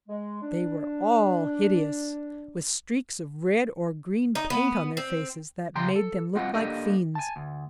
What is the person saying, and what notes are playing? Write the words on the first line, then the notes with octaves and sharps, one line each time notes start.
They were all hideous--with streaks of red or green paint on their faces that made them look like fiends.
G#3
D4
D#4
B3
C4
C#3 G3 G5 A#5 C6
A4
G3 C4 F4 F#4 D#5 F#5
A#3 D4 G4 A4 A#4 D#5
G#5 A5
D2